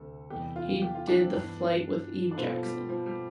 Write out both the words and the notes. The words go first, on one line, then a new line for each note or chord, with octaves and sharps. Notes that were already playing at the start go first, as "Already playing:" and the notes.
He did the flight with Eve Jackson.
Already playing: D2 C3 A4
E2 C3 G3 G4
F4
G4
F4
D4
C4
G2 E3 B3 D4
D4
B2 B3 C4 F4 A4 C5
F3
G3
F3
G3